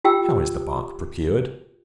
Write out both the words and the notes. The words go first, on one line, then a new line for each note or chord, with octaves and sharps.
How is the bark procured?
F4 G4 G5 E6